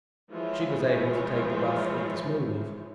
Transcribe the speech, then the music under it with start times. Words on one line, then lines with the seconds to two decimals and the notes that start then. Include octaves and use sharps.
She was able to take the rough with the smooth.
0.31 E3 F3 G#3 E4 F4 C#5